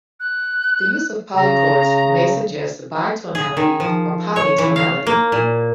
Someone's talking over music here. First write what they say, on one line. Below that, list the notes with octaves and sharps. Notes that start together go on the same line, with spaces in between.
The use of polychords may suggest bitonality or polytonality.
F#6
C#3 A#5
G#4
D#3
F3
C#5
E3
F5
A#3
A#2